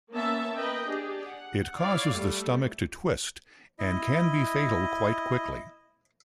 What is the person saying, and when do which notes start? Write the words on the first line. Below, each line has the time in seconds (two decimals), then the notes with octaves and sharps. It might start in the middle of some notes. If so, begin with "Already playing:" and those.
It causes the stomach to twist and can be fatal quite quickly.
0.12 A#3 B3 C#4 E5 A5
0.56 A#4 B4 D#5 G5
0.87 D4 G4 G#4
1.29 F#5
1.80 E4 C#5 D5 F5
2.10 G3 A3 A4
3.79 E4 D#5